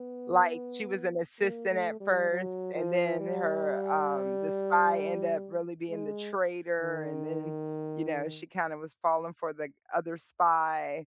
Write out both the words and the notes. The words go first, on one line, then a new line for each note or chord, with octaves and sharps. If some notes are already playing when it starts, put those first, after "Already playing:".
Like, she was an assistant at first, and then her, um the spy end up really being the traitor, and then, you know, she kinda was falling for the other spy,
Already playing: B3
A#3
A3
G3
F#3
F3
G3
G#3
D#3